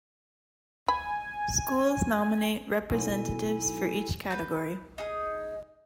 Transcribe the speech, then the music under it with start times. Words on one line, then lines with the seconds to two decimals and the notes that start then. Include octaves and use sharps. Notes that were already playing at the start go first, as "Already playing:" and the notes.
Schools nominate representatives for each category.
0.88 G#5 B5
2.90 B1 E4 A4 G#5
4.30 B4 G6
4.98 D#4 G#4 D#5 D#6